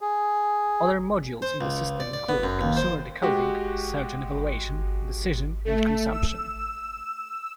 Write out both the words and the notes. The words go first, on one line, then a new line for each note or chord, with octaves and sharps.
Other modules in the system include, consumer decoding, search and evaluation, decision, and consumption.
G#4
C5
C#2
D5
D5
B3
F#2
D#2
C5
G#3 F#4 G4
A3
E6